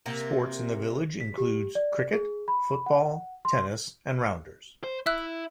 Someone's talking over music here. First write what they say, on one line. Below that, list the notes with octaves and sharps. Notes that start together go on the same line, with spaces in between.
Sports in the village includes cricket, football, tennis, and rounders.
C3 A#3
B6
G4
D5
G#4
B5
F#5
C6
C5
E4 E5 E6 F#6